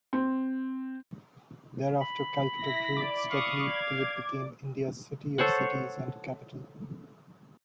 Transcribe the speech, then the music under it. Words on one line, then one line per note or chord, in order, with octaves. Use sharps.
Thereafter "Calcutta grew steadily till it became India's 'city of cities' and capital".
C4
B5
E4 A#6 B6
E4 D5 D6
F5 C#6 D#6
G#6
A4 C5 C#5 F#5